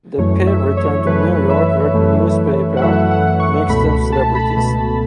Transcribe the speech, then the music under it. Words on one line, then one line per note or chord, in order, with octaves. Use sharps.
The pair return to New York where the newspaper makes them celebrities.
F#2 E3 A3 C#5
E5
C#5
F#2 E3 A3 B4
E5
F#2 E3 A3
F#5
F#2 E3 A3 E5
F#5
C#6
C#2 B2 A3 B5
B5
A5
B5
C#2 B2 A3